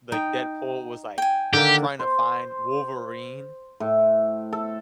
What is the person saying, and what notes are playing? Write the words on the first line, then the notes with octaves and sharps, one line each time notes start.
like, Deadpool was, like, tryna find Wolverine
D#4 G5
G5 G#5
D3 D#3 A#3 G4
C5
A2
A4